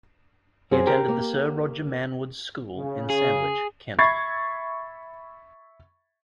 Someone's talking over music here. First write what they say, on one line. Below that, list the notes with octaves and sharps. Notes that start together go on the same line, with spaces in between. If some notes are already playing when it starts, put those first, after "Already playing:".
He attended the Sir Roger Manwood's School in Sandwich, Kent.
F#2 C4 G#4 C5
G4 A#4
A#3
C#3
G#4
E5 B5 C#6 G#6 A6 C7